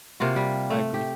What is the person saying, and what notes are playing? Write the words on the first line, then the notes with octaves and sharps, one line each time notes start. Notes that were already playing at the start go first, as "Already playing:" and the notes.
I agree.
C3 A#3 F4 F#4
G3
A3
G4